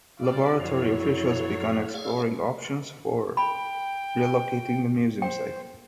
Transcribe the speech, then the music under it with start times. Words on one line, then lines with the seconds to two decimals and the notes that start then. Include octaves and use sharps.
Laboratory officials began exploring options for relocating the Museum site.
0.23 G3 C4 F4 D5
0.60 F#2 F3 F#3 E4 A4 C#5
1.94 G#4 D5 F5
3.37 G5 B5
5.22 C5 G5